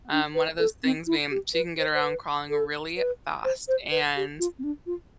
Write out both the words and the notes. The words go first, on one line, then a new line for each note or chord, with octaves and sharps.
Um, one of those things being she can get around crawling really fast, and
D4
B4
A4
C4
E4
G4
B4
C5
C5
B4
A4
B4
C5
C5
B4
G4
F4
C4
D4
F4